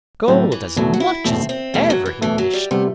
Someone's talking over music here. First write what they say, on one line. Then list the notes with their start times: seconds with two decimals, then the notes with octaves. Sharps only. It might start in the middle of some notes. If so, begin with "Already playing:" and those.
Gold as much as ever he wished.
0.28 A2 D3 F#3 A3 C4
0.52 E3
0.76 E2 B2 F#3 A3
0.94 F#4
1.00 E4
1.25 E2 B2 A3 C4
1.49 C4
1.74 E2 B2 G3 A3
1.90 F#3
2.06 E3
2.21 E2 B2 E3 A3
2.38 F#3
2.53 G3
2.71 C3 G3 A3 B3